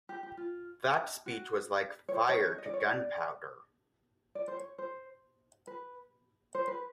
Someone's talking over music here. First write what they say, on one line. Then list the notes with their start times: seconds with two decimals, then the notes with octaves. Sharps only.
That speech was like fire to gunpowder.
0.09 G4
0.23 G4
0.37 F4
1.26 F#4
2.09 C#5
2.14 C5
2.29 C#5
2.44 C#5
2.58 D#5
2.66 D5
2.74 C#5
2.81 D5
4.35 D5
4.48 C5
4.57 C#5
4.78 C5
5.67 B4
6.55 C5
6.68 B4